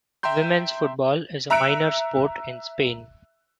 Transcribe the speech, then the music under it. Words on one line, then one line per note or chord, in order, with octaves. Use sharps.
Women's football is a minor sport in Spain.
E5 G5 A#5 C6 G6
E5 A#5 E6 F#6 C#7 D7